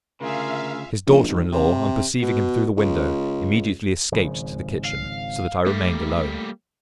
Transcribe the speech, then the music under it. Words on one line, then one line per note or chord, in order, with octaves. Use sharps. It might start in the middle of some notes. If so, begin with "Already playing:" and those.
His daughter-in-law, on perceiving him through the window, immediately escaped to the kitchen, so that I remained alone.
D2 C#3 F4 G#4 A#4 E5 F5
A#1
G#1
C3
B2
C#2
G#1 C#3 F3
F5
G3 A3 A#3